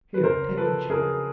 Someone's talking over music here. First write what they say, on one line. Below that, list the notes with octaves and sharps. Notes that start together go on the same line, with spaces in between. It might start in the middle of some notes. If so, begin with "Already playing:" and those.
Here, take your chair.'
B4
C#3 A#4 C5
F3 A4 B4
C#3 G#4 A#4